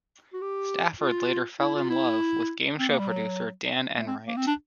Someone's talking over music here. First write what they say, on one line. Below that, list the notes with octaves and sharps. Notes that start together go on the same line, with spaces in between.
Stafford later fell in love with game show producer Dan Enright.
F#4
G4
F4
E4
F4
E4
C4
A#3
G3
F#3
A3
C4
A#3
C4
D4